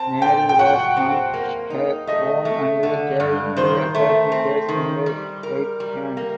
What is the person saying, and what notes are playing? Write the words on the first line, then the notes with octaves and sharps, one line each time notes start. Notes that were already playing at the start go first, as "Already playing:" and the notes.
Mary was on her own and carrying the attache case in her right hand.
Already playing: C4 A5
A#2 G5
G5
F#4 F#5
C4
A#3
D#4
A3 D#5
A3
D3
G2
D#3 C5
A3
C4
D#3
G3
A#4
G3
A#3